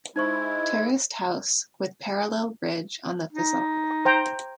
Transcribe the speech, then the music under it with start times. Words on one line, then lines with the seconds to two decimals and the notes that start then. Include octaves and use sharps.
Terraced house, with parallel ridge on the facade.
0.16 G#3 D#4 E4 C5 C#6 G#6
3.33 D#4
4.05 C5 G5 A#5